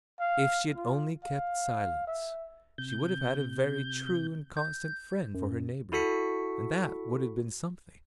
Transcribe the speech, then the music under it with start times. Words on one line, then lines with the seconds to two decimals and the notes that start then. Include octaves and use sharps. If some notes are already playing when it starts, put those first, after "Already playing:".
If she had only kept silence, she would have had a very true and constant friend for her neighbour, and that would have been something.
0.20 F5
0.76 F4
1.23 F5
2.07 E5
2.78 C3 G6
4.57 G6
5.35 F#2
5.92 E4 F#4 A4 B6 C#7